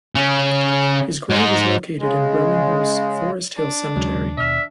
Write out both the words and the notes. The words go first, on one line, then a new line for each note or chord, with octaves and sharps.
His grave is located in Birmingham's Forest Hill Cemetery.
C#3 C#4
G#2 D#4
C#3 G#3
D4
D#2 C#3 F#3 G#3
D#2 B2 D5 E5 F6